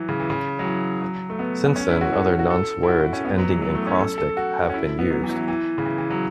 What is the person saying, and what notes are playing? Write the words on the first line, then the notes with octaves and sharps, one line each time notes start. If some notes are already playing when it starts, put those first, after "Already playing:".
Since then, other nonce words ending in "-crostic" have been used.
Already playing: E3 F#3
C#3
E3
C#3
F#3
E3
F#3
A3
B3
B3
C#4
E4
F#4
A4
F#4
A4
E4
F#4
E4
C#4
B3
F#3
E3
F#3
A3
C#4
A4
A4
F#4
C#4
E4
B3
F#3
E3
F#3
E3
E3
C#3
E3
E3
F#3